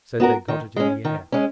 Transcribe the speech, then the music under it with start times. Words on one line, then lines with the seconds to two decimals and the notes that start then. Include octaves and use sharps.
Said they got it in the air.
0.20 B3 F#4 A#4
0.48 D#3
0.76 G#3 C#4
1.05 D#3
1.32 G#3 C#4